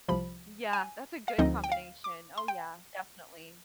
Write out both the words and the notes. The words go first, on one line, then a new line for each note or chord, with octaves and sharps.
Yeah, that's a good combination. Oh, yeah, definitely.
C2 C3 F3 B5
G#5
F5
D2 D3 F3 C4 D#4 D#5
G5
F5
D6
C6
G5